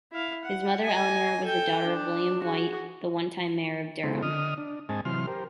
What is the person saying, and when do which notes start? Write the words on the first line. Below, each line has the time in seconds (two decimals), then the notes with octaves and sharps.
His mother, Elanor, was the daughter of William Wight, the one-time mayor of Durham.
0.12 E4 F5
0.45 F#5
0.84 D#5 G#5
1.44 A4 G5
1.84 D4
2.43 F#4 G#4
4.03 C#3 G#3 B3 E4 A4 C5
4.23 D3 D#5 D#6 F6
4.58 D4
4.89 G#2 G#3 C4 D#5 G#5 A5
5.05 C3 E3 F#3 C6 F6
5.27 G4 A#4 C5